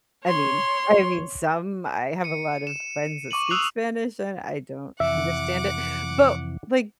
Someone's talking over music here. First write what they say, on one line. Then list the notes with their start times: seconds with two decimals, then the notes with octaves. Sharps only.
I mean I mean, some I have a lot of friends that speak Spanish, and I don't understand it, but, like,
0.24 C#5 C6
2.24 C#7 D#7
2.67 E7
3.31 C#6 D6 D#7 F#7
3.50 D#6 E6 F#6 C7 F7 F#7
5.00 F2 C3 E3 E5 F#5 D6